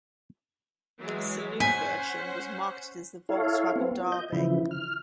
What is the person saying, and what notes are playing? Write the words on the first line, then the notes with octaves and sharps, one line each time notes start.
A saloon version was marketed as the Volkswagen Derby.
E3 F#3 G#3
C#4 C5 F#5 G#5 B6
E4 A4 C#5 F5
B3 C4
F4
D#5 G6
C#3 E3 F3 E4
F6